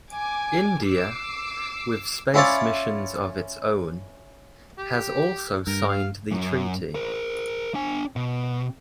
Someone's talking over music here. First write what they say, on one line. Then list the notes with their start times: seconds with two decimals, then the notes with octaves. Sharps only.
India, with space missions of its own, has also signed the treaty.
0.12 G#5 D6
0.83 D6 E6 C7
2.34 C#4 E4 F4 C#5 D5
4.78 G4
5.67 G2 A#4
5.89 F5
6.31 F#2
6.95 A#4 C5
7.74 D4 G#5
8.16 B2